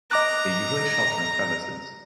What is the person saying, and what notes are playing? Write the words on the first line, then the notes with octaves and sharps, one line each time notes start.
They usually shelter in crevices.
D#5 A#5 D6 F#6